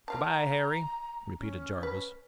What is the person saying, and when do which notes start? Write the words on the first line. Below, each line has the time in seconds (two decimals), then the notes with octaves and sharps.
"Good-bye, Harry," repeated Jarvis.
0.08 A#4 F5 A5 A#5
1.39 C#4
1.83 B4